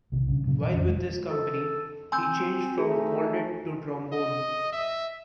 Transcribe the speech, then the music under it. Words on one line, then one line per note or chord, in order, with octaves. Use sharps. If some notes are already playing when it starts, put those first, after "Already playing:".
While with this company, he changed from cornet to trombone.
C2 B2 D#3
G2 C#3
A#2 C#3 F#3
E3
E1 F2 D3 C#4
G#3
A4
C4 G#5 C6 E6 G6
A3 D#4 F#4 G#4
D#5
E5